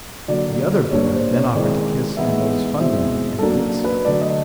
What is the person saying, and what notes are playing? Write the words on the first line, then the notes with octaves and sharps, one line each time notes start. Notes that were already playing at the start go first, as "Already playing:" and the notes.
The other boy then offered to kiss M.O.'s fundament, and did so.
D3 F#3 A#3 D5
A#2 G3 A#3 D4 C#5
C5
C#5
D#3 G#3 C4 E4 D5
E3 G#3 B3 D#4 E5
B2 G#3 C4 E4 E5
A4
F#3 A#3 D4 A#4
B4
D3 F#3 A3 D5
D#5